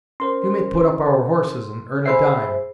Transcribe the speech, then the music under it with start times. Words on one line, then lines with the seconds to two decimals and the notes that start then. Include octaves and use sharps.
"You may put up our horses and earn a dime."
0.20 C#4 A#4 C5 C6
2.06 G#4 C5 E5 B5 E6 C7